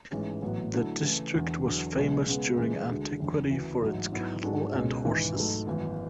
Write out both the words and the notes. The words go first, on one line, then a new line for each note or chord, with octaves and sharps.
The district was famous during antiquity for its cattle and horses.
A1 G#2 E3 G#3 C#4
A1 A2 F#3 B3 F#4
D3 F#3 A3 E4
C#3 E3 A3
E1 E2 D3
E2 D3 F#3
B1 B2 G#3
C#3 G#3 B3
C#3 E3 G#3
D2 D3 G#3
F#1 E2 D3
D2 C#3 E3
A1 G#2 F#3
G#2 F#3 B3 E4
G#2 G#3 D4 F#4 A4
C#2 B2 G#3 C#4
G#1 G#2 E3
G#2 F#3 A3
G#1 F#2 E3 B3